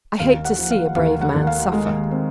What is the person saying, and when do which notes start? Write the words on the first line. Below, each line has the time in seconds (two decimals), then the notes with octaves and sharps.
I hate to see a brave man suffer.
0.20 D#2 F5
0.45 F#5
0.58 F3
0.71 F5
0.96 D#2 F5
1.21 F#5
1.35 D#2
1.47 F5
1.73 G#3
2.11 C4